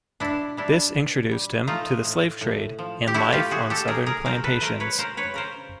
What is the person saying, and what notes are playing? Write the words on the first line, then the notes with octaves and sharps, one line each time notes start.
This introduced him to the slave trade and life on southern plantations.
B2 D4 E4
G3 D4 E4
B2
G3
A3 D#4 F4
A2
A2
F3
G4
A3 E4 F#4
F4 G4
A2 F#4 G#4
G4 A4
A2 G#4 A#4
G#4 A#4
F#3 A#4 C5
A4 B4
A3 A#4 C5
B4 C#5
C#3 A#4 C5
B4 C#5
C#3 A#4 C5